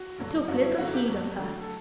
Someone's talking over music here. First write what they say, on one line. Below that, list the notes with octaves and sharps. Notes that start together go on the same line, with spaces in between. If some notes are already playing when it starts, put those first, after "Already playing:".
He took little heed of her.
Already playing: F#4
G2 D3 F#3
G2 D3 F#3 F#4
E4
F#2 D3 F#3 F#4
G4
G2 F#3
D2 D3 F#3
A4